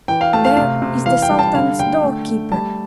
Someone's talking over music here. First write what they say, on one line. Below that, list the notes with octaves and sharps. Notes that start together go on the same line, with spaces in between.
'There is the Sultan's door-keeper!
E3 G5
F5
A3 A5
F5
C3 F5
C3
E3 F5
G5
G3
A5
D3 F5
D3 G5
A3
A3
G3 A5